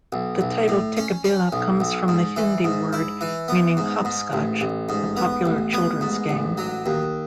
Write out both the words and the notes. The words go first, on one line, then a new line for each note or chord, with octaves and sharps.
The title "Tikkabilla" comes from the Hindi word meaning "Hopscotch", a popular children's game.
B1
B1
A2
C#4
C#4
B1
B1
G#2
E3
G#2
E4
E3
B3
G#2
G#2
A1
A1
G#2
B3
A1
B3
G#2
A1
F#3
D#2